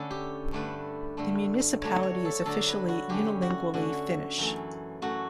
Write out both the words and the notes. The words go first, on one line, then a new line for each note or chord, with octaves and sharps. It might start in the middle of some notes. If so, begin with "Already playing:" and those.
The municipality is officially unilingually Finnish.
Already playing: D3 A3 C#4 A4 B4
G4
G2 D3 A3 D4 B4
G2 D3 A3 D4
D3 F#3 A3 D4 C#5
C#5
A4
D3 F#3 A3 D4 A4
B4
F#4
D3 A3 C#4 G4
F#4
D3 A3 C#4 F#4
F#2 E3 A3
F#2 E3 A3 F#4